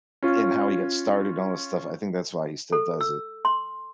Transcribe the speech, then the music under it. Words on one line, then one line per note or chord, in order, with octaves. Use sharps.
and how he got started all this stuff. I think that's why he still does it,
C#4 F4
A4
E6
C6